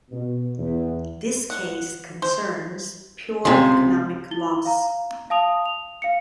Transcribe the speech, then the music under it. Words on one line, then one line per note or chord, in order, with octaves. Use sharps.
This case concerns pure economic loss.
B2
E2
F#5
C5
C#2 C3 C4 G#4 C6
E4 G7
F5 A#5
F5 A5 D#6 F7
F7
F5 C#7